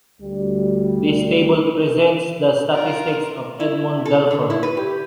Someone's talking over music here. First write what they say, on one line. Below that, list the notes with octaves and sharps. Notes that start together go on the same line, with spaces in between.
This table presents the statistics of Edmond Delfour.
D2 G3
F4 A#4
E4
A4
D3
E4
B4
G4